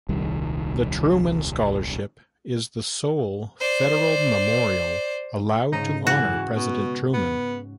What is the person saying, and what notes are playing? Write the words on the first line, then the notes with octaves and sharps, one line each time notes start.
The Truman Scholarship is the sole federal memorial allowed to honor President Truman.
D#1 C2 D#3 G3
C5 D5
G#2 C#3 D#4
E3 F#4
B2
B3